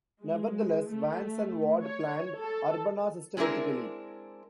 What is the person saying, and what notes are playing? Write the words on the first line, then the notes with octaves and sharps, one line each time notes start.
Nevertheless, Vance and Ward planned Urbana systematically.
G#3
A3
C#5
A4
G#3 C4 D4 E4 A#4